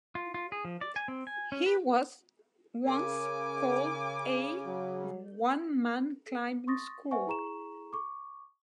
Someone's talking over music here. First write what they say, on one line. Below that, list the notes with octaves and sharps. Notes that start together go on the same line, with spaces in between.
He was once called A one man climbing school.
F4
F4
G#4
F3
D5
G#5
C4
G#5
C#4
B4
C#3 A#4 G#5 D6
F#3
C6 C#6 D#6 A6 A#6
B4 C5 E5 F#5 G#5 C#6
E4 G#4 A#5 C#6 E7
C#6 D6